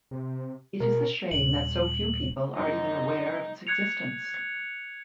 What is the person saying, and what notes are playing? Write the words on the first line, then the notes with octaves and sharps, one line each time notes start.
It is a shame that so few people are even aware of its existence.
C3
B2 A#4
D#1 F#7
F#2 E3 D#4
F#6 G#6 C#7 F7